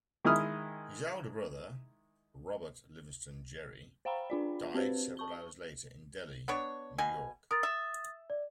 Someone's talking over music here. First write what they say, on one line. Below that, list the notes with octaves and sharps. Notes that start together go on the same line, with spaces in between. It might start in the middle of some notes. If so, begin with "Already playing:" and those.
His elder brother, Robert Livingston Gerry, died several hours later in Delhi, New York.
D#3 G#3 E4 D#6 F6
C5 F5 G5 A#5 B5
D4 F4 D5
C4 G4 B4 C5
A5 C#6 G7
B3 D4 C#5
B2 G#5
A#4 D#6 A6
E5
D5